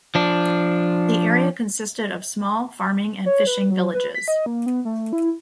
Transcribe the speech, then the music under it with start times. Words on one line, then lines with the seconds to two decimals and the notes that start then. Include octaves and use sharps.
The area consisted of small farming and fishing villages.
0.15 F3 D4
3.26 C#5
3.47 B4
3.70 F#3
3.94 B4
4.15 B6
4.28 D#5
4.46 A#3
4.66 B3
4.85 A3
5.13 E4